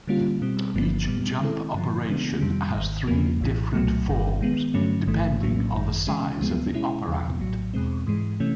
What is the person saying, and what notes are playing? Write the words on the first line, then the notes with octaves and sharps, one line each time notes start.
Each jump operation has three different forms, depending on the size of the operand.
D3 G3 A#3 C#4 F4
B2 G3 C4
G1 G2 D3 F3 A#3
A#2 G3 B3
D#3 G#3 C4 E4 A4
G2 D3 F3
C#3 E3 G#3 B3 D4
F2 C3 D#3 G3
G#1 G#2 D#3
E2 C#3 F3 A#3
A#1 A2 E3
C2 A#2 F#3 A3
G1 G2 D#3
D#3 G#3 B3
G2 D3 F#3 A3 C#4
A1 G#2 E3 A3
A#1 A2 F#3 A#3
G#1 F#2 D#3
C#3 E3 G#3 C#4
D2 C3 F3 G#3 B3
B2 G#3 C#4 E4
E2 C#3 F3
A#1 A2 F#3
E2 B2 G#3 C4
G#2 E3 G#3
C3 E3 A3 C#4